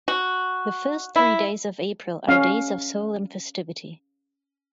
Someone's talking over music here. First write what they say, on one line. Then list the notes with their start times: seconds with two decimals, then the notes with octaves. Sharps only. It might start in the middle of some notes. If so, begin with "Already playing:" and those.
The first three days of April are days of solemn festivity.
0.08 F#4
1.16 E4
2.28 C#4 F5